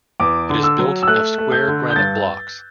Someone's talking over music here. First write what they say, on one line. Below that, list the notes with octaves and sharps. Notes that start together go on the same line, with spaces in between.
It is built of square granite blocks.
E2 D6
D3
E6
F#3
E6
A3 F#6
A3
G6
D3
G6
G2 A6